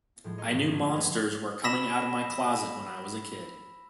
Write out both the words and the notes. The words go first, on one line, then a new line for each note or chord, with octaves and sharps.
I knew monsters were coming out of my closet when I was a kid.
A2 F3 G#3
C#5 D#5 A#5 C6
G#2 C3 E3 F3 A#3
A#3 C#4 F4 C5
G2 G#3 A3
B4 G#5
B5 E6 A#6 B6 E7